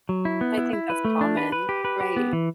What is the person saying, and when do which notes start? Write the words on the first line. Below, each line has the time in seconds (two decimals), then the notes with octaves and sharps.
I think that's common, right.
0.09 F#3
0.25 E4
0.41 B3
0.58 E4
0.73 E4
0.90 B4
1.05 A3
1.21 D4
1.37 B4
1.52 B4
1.69 G4
1.85 B4
2.01 G4
2.16 B3
2.33 E3